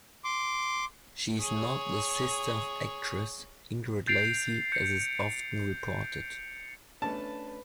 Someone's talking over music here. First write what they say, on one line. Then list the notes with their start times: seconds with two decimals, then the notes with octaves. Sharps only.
She is not the sister of actress Ingrid Lacey as is often reported.
0.24 C6 D6
1.41 G#4 C#5
4.07 G6 A6 C7 D7 F7
4.72 G6 C7 C#7
7.02 A3 C#4 D4 B4 A5